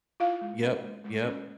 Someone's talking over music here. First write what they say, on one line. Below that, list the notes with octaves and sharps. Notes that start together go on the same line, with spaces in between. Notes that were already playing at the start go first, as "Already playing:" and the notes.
Yep, yep.
E4 F4 F5
G#3
C#4
G#3
G#3
C#4